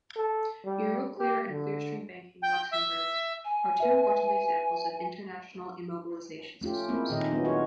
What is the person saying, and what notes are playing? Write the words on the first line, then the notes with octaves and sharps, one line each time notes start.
Euroclear and Clearstream Banking, Luxembourg are two important examples of international immobilisation systems.
A4
G3
G4
D3
G5
E5
G#5
B4 E5
A3 C#4 F4 G4
G#3 A#3 C4 E4
A#2 D#3 E4 G#4 D#5
F#3 B3 C#4 D4 E4 F4
D#4 F#4 G#4 C#5 D#5